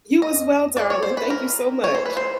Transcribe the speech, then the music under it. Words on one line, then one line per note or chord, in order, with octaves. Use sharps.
You as well, darling, thank you so much.
D#5
D5
C#5
C5
B4
A#4
C#5
C5
B4
C5